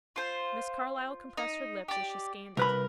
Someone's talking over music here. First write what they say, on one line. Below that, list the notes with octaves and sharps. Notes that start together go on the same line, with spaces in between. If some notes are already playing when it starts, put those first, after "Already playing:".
Miss Carlyle compressed her lips as she scanned it.
F4 C5
D#4
G4 D5
C2 A#4 B4 B5